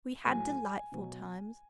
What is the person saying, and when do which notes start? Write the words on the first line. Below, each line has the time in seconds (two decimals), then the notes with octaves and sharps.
We had delightful times.
0.24 A2 F#3 G#5
0.92 B2 F#3